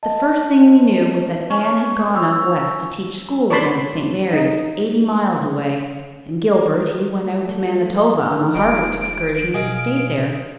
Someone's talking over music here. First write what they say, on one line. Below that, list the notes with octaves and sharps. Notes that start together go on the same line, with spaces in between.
The first thing we knew was that Anne had gone up west to teach school again at St. Mary's, eighty miles away, and Gilbert, he went out to Manitoba on a harvest excursion and stayed there.
D#5 A5
C#4
F5 E6
C#5 D5 A5 B5 C6
D#4
A3
E1 F3 G#3 D#4 D7
B2 G#4 D#5 F5